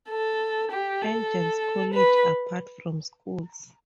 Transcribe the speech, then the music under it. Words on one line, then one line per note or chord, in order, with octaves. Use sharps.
Agnel's college, apart from schools.
A4
G4
A4
B4